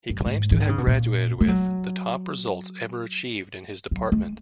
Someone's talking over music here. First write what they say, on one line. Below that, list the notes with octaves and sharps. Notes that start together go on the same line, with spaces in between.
He claims to have graduated with "the top results ever achieved" in his department.
F#2
G#2
E3
D#3
C#3
B2
A#2
G#3
F#3
F#3
G#3